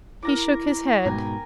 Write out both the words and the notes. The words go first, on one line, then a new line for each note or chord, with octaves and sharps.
He shook his head.
E4 A#4 A#5 D6
G#2 B2 G5 G#5 A#5